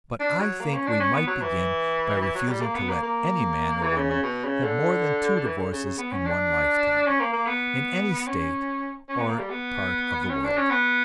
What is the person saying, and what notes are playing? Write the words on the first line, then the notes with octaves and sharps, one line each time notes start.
But I think we might begin by refusing to let any man or woman have more than two divorces in one lifetime, in any state or part of the world.
D4
F#3
A#3
C#4
D4
C#4
B3
F#3
E3
E3
F#3
G3
A#3
B3
A#3
A#3
E3
C#3
C#3
B2
C#3
D3
D3
E3
D3
C#3
C#3
B3
C#4
D4
C#4
A#3
A#3
B3
C#4
C#4
B3
A#3
G3
B3
C#4
D4
C#4
B3